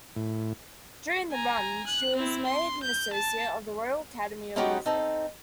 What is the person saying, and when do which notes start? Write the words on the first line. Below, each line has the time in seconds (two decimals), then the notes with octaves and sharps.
During the run, she was made an Associate of the Royal Academy of Music.
0.16 A2
1.32 G#5 A#5
1.87 F#6
2.16 C4 E4
2.46 C6
2.83 G6
3.13 A5
4.56 G#3 B3 C#4 D#4 F#4 G4
4.86 C4 D#4 A4